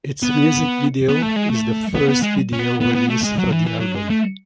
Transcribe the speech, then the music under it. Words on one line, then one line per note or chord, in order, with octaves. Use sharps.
Its music video is the first video released for the album.
B3
B3
A3
G#3
A3
B3
B3
G#3
C#4
B3
B3
B3
A3
G#3
F#3
E3
E3
F#3
G#3
A3